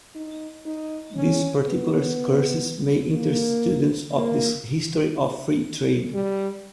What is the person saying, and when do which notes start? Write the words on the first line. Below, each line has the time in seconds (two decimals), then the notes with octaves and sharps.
These particular curses may interest students of the history of free trade.
0.15 D#4
0.66 D#4
1.15 C#4
1.65 B3
3.15 A#3
4.14 A#3
6.14 G3